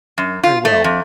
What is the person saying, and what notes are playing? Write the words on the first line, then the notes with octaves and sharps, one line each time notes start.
Very well.
F#2
F4
A3
F2